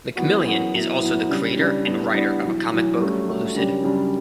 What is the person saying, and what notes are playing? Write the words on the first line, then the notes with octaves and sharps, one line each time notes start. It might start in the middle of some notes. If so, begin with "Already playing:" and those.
McMillian is also the creator and writer of a comic book, "Lucid".
F#2 E3 B3 F#4
F#2 E3 B3 F#4
B2 F#3 B3 E4
B2 F#3 B3 E4
C#3 G3 D4
C#3 G3 D4
A2 G3 B3 D4
A2 G3 B3 D4
B1 A2 E3
B1 A2 E3
G2 F#3 A3 C#4
G2 F#3 A3 C#4
F#2 C#3 G3 D4 G4
F#2 C#3 G3 D4 G4